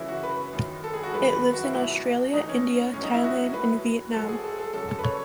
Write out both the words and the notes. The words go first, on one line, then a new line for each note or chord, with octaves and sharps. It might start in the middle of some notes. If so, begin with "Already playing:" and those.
It lives in Australasia, India, Thailand and Vietnam.
Already playing: F#2 C#3 E3 E4
F#4
B4
F#2 D#3 F#3
A4
G#4
F#4
F#2 D#3 F#3 B4
B4
F#4
E4
E2 B2 F#3 E4
A2 E3 D#4
C#4
A2 F#3 C#4
D#4
E4
F#4
A2 F#3 B4
G#2 F#3 A4
G#4
A4
A4
F#2 C#3 F#3 A4
A4
B4
C#5